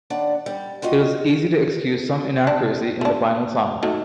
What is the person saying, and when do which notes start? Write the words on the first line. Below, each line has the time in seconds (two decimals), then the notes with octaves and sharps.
It was easy to excuse some inaccuracy in the final sound.
0.10 D#2 D4 D5 F#5
0.46 G3
0.82 G3 F4 F#4 D#5
2.47 D4
3.01 A3 D4
3.83 D#3 F#3 A3